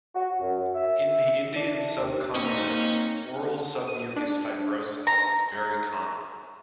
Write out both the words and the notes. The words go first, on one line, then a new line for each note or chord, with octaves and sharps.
In the Indian subcontinent oral submucous fibrosis is very common.
F#4
F#2
E5
D4
D#2
A#3 C4 C#4 D#4
D#7
D4
A#5